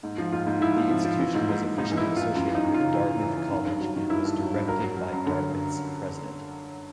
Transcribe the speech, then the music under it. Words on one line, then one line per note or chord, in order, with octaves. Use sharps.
The institution was officially associated with Dartmouth College and was directed by Dartmouth's president.
G#2
F3
G#2 F4
G#2
F3 E4
F3
F3
F3
E3
G#2
G#2
G#2
G#2 D#4
E3
E4
E3
F4
E3
F#2 F4
E3 D#4
F#2
F4
C#3
E3
E3
E3
E3
D#3
G2
F#3
D#3
G2 E4
G2
F#3
G2
F#3 A#4
F#3
F#3
F#2
D3